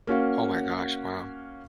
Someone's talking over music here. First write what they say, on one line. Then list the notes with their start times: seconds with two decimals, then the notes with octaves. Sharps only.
Oh my gosh, wow.
0.07 A#3 C#4 F#4 F5